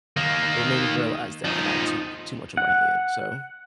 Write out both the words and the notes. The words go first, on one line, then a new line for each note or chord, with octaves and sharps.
but it made me realize that I got too too much on my hand, so
D#3 A#3
F3 D#4
F#5